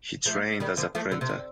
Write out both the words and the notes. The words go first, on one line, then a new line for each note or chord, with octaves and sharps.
He trained as a printer.
F3 A3
D#3 G3
D3 F3
F3 A3
D3
C3
D3